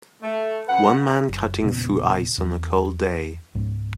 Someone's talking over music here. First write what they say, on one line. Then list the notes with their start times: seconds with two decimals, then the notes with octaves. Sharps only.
One man cutting through ice on a cold day.
0.22 A3
0.68 F#2 B4 F#5
1.29 F#1
1.63 E1 A#2 C#3 B3
2.38 E2
3.55 C#2 G#2